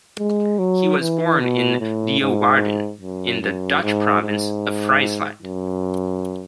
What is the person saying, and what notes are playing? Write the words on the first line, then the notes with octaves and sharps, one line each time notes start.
He was born in Leeuwarden, in the Dutch province of Friesland.
G#3
F#3
E3
B2
A2
G#2
F#2
F#2
G#2
G#2
F#2